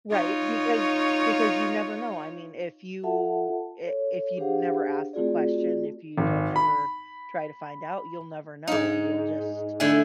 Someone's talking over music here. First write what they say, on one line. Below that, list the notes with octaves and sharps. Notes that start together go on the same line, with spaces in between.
Right, because because you never know. I mean, if you i if you'd never ask the question, if you don't ever try to find out, you'll never know and you'll just
D#4 F4 C#5
F4 A4 E5 F#5 A5
A4 C#5
D4 G4 G#4 C5 F5 F#5
A3 C4 F4 F#4 G#4 D5
G#1
B5
G#2 D#4
D3 A3 E4 C5 E5 G#5